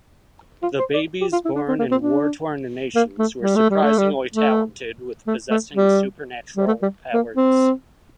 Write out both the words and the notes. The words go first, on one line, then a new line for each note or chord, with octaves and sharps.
The babies born in war torn nations were surprisingly talented with possessing supernatural powers.
F4
C5
D5
G4
F4
E4
D4
C4
A#3
C4
D4
A#3
A3
G3
A3
G3
A3
G3
A3
A3
A3
G3
G3
A3
G3
A#3
C4